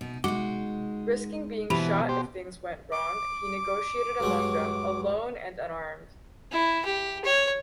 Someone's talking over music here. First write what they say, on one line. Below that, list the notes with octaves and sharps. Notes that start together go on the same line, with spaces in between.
Risking being shot if things went wrong, he negotiated among them, alone and unarmed.
B2 D#4
G#3 D#4 F#4 D6
G#2 B2 E3 G4 B5 F7
G4 C5
D6
G2 F#3 G#3
E4
G4
C#5